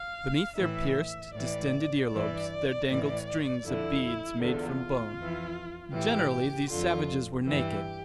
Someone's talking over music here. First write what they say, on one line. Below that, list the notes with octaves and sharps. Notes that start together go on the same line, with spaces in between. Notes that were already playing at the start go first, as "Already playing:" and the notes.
Beneath their pierced, distended earlobes there dangled strings of beads made from bone. Generally these savages were naked.
Already playing: F5
A2 E3 E5
A2 E3 D5
G2 E3 D5
A2 E3
F2 D3 E4
E2 D3 F4
F2 E3
A2 E3 G4
F2 D3 F4
G2 E3 G4